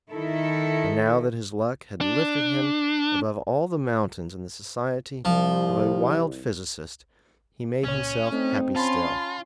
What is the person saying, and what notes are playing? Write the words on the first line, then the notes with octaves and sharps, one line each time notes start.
And now that his luck had lifted him above all the mountains in the society of a wild physicist, he made himself happy still.
D#3 E4 A4
D4
C2 F3
C#2 A#2 C#4 C#5
A3 C4 D#4
C#4 F4 A5 B5 C6